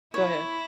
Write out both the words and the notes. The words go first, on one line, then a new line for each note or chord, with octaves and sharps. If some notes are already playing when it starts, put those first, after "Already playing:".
go ahead.
E4 C#5